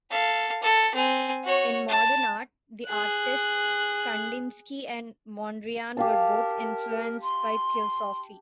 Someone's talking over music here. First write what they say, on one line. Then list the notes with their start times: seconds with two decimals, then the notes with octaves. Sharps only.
In Modern Art, the artists Kandinsky and Mondriaan were both influenced by theosophy.
0.10 A4 F5
0.62 A4
0.95 C4 G#5
1.44 F#4 C#5
1.88 A5
2.87 G#4 F#6
5.97 G4 A#4 F5 A5
7.22 C6